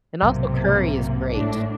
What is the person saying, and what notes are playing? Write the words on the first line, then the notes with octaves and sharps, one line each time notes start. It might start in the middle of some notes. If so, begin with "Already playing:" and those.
and also, curry is great.
B1 G#2 C3 A#3
G#1 A2 D4